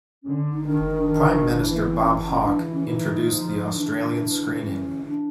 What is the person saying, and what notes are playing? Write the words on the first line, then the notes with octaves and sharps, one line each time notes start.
Prime Minister Bob Hawke introduced the Australian screening.
D3 C#4
D#4
D#3 D4
D#4
D4
D#3
E3
A#3
B3
C4
C#4
C#4
E3 D4
C#4
E3 D#4
F3
E3 D4
C#4
D4